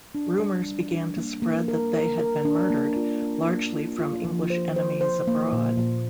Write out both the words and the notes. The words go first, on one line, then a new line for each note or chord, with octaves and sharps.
Rumours began to spread that they had been murdered, largely from English enemies abroad.
D4
G3
G3
D4
A#3
A#3
A#4
A#4
A#4
D4
A#3
F4
A#4
A#3
F4
F4
F3
C5
C5
C5
A#3
A#2
A#2